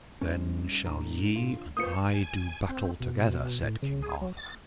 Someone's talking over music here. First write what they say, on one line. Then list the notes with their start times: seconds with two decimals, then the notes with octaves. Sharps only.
Then shall ye and I do battle together, said King Arthur.
0.21 F2 G#2 G3 C#4
0.86 A2 D4 A#5
1.36 F4
1.77 A#3 F4 B4 C5 D#6 C#7
2.14 G#5
2.69 C4
3.00 B2
3.62 A2
3.83 C#3
4.02 G#4
4.21 F#3
4.37 A6